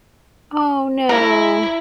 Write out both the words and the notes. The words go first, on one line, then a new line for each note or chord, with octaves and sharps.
Oh, no.
E4 A#5